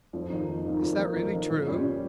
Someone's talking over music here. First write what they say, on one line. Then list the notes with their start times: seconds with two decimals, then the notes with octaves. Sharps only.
"Is that really true?"
0.13 F2
0.30 D#3 A#3 D#4
0.48 F2
0.65 D#3 A#3 D#4
0.82 F2
0.98 D#3 A#3 D#4
1.16 F2
1.33 D#3 A#3 D#4
1.50 A#2
1.67 G3 C#4 G4 C#5
1.83 A#2